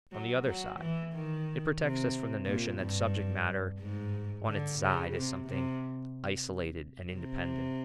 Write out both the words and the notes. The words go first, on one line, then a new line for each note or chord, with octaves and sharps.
On the other side, it protects us from the notion that subject matter on its side is something isolated and independent.
F#3
F#3
E3
D#3
C3
A#2
G2
G#2
D3
C#3
C3
C3
C3